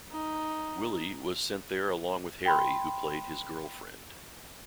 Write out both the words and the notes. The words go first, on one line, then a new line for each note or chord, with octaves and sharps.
Willie was sent there along with Harry, who played his "girlfriend".
D#4
G5 B5 C6